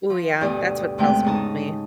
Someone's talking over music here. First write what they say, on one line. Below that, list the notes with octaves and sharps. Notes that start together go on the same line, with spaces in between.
Ooh yeah, that's what tells me.
F3
D2 G2 B2 G3 D5 D#6
E2 C3 G#3 A3 G5
G#2 C#3 D#4 A5 D#6